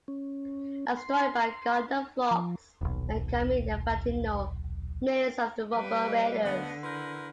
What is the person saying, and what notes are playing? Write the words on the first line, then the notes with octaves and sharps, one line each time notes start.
A story by Gardner Fox and Carmine Infantino, Menace of the Robot Raiders!
C#4
C6
F3
D#1 B1
G3 B4
C5 D#5 F5
D3 A3 B3
E4 A#4 B4 C6 G6